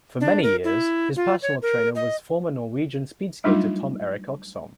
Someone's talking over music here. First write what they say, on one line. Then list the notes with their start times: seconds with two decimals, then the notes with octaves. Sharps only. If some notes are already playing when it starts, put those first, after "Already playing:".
For many years, his personal trainer was former Norwegian speed skater Tom Erik Oxholm.
0.20 D4
0.43 A#4
0.64 E4
1.16 F4
1.42 C#5
1.62 A#4
1.95 D#5
3.44 F#3 G3 A3 D4 D#4 F4